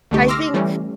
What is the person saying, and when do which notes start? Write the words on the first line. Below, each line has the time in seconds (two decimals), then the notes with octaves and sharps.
I think
0.11 C2 D3 A3 D#4 G4 C#6
0.28 C6 D6 E6 F6 A#6 C7
0.54 E3 G3 A3 C#4